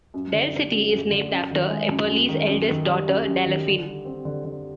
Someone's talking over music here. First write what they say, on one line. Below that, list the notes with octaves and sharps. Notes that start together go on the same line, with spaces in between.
Del City is named after Epperly's eldest daughter Delaphene.
F#2
D3
G3
F#2
F#2
D3
F#2
D#3
G#3
F#2
F#2
D#3
F#2
D#3
G3
F#2
F#2
D#3
D3
G3
C4
D3
D3